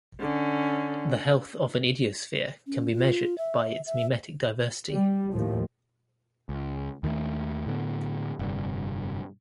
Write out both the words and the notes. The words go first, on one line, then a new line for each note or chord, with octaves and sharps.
The health of an ideosphere can be measured by its memetic diversity.
D3 C#4
C#4
F4
E5
E5
G3
D#2 A2 F3
C#2
D#2 D#3 F3 A3
A2 D3 B3
F1 G2 D3